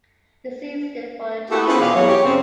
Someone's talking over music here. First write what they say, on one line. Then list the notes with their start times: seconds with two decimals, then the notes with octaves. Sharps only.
The C stood for Chardon.
1.49 A3 A#3 E4 F#4 G4 A4
1.67 B3 C#4 E4 F4 G#4 C5
1.79 B2 E3 G#4 D5 F5
1.95 E2 F#3 G3 C#5
2.08 G4 C#5
2.24 F#2 C#3 F#3 C4